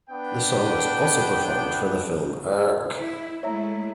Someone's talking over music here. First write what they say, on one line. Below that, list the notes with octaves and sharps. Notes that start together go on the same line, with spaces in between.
The song was also performed for the film Urgh!
B3 D4 B4 G5
E4
G#3 A3 E4 C#5 E5 A#5